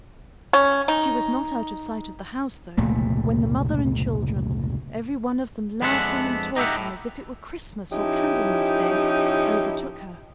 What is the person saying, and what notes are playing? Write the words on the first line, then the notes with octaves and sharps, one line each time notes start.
She was not out of sight of the house, though, when the mother and children, every one of them laughing and talking as if it were Christmas or Candlemas day, overtook her.
C#4
D#4
F1 C#2 A#2 A3
F2 G#3 B3 D4 E5 F#5
D#4 G4 E5 F#5
A2
F3 C#4 D#4 E4 G4